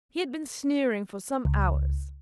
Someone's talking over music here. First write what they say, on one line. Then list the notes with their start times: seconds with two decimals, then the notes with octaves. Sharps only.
He had been sneering for some hours.
1.45 C#2